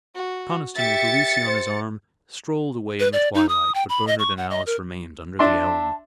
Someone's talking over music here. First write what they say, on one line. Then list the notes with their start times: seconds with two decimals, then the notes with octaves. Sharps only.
Conniston, with Lucy on his arm, strolled away in the twilight, but Bernard and Alice remained under the elm.
0.15 F#4
0.76 G4 E5 A6 C#7
1.46 C5
3.00 B4
3.13 D5
3.35 D#4
3.49 D#6
3.75 G5
3.89 B5
4.07 D#5
4.19 C#6
4.37 F#5
4.50 D#5
4.66 A#4
5.39 D4 E5 A5 C6